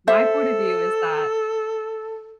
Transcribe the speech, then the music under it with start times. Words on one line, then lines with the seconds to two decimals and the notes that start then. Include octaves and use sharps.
My point of view is that
0.08 A4 C5 E5